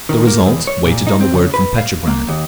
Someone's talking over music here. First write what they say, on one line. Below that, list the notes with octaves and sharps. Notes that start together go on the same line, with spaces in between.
The result waited on the word from Petrograd....
D#3
A#3
E2
C#5
A#2
D#4
C4
C#3
B4
F5
A#3
D#2